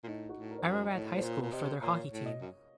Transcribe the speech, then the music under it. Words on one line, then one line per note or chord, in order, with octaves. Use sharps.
Ararat High School for their hockey team.
A#2
A2 D#4
F#4
A2
A#4
C5
F#2 A#4
C5
D#5
A2 C#5
A2 C5
A#2 C#5
A#2
C3 D#5
A#2 C#5
A2
D#5
F#2